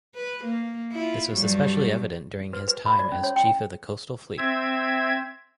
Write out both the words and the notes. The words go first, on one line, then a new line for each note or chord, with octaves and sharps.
This was especially evident during his time as Chief of the Coastal Fleet.
B4
A#3
E4 F4
G2 F#3 G3
B4
B4
B5
D5
C#4
C#5
G5
C4 E5 G#6